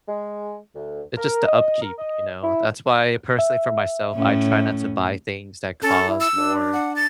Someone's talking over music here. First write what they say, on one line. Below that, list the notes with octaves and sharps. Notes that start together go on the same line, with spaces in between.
it just the upkeep, you know? That's why, personally for myself, I try not to buy things that cause more,
G#3
D2
A#4
D#5
A#4
D#5
E4
E5
A2 C#4
C#4 A4
E4
E6
D4
F#5
A6